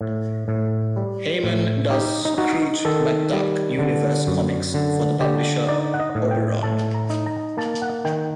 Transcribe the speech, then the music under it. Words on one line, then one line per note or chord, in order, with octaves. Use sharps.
Heyman does Scrooge McDuck universe comics for the publisher Oberon.
A2
A2
G3
A2
D#4 G4
D#4
D#4 F#4
D#3 A4
G3
D3
F#2
D3
D3 G4
D#4 D5
F#5
D#5
A2
G5
A2 A5
A#5
D#4
A#5
A#3 A5
F#5
D#3 G5